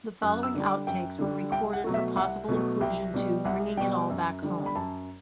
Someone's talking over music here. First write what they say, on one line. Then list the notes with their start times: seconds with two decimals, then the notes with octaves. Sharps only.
The following outtakes were recorded for possible inclusion to "Bringing It All Back Home".
0.22 F#2 F#6
0.43 E6
0.54 D3 G3
0.65 D6
0.87 F#2 G5
1.19 D3 G3
1.52 C2 G5
1.73 F#5
1.84 B2 F#3 A3
1.94 E5
2.16 C2 F#5
2.48 B2 F#3 A3
2.81 C2 G5
3.14 B2 G3
3.45 C2 F#5
3.77 B2 G3 G5
4.10 F#2
4.42 D3 G3
4.66 B5
4.75 F#2 A5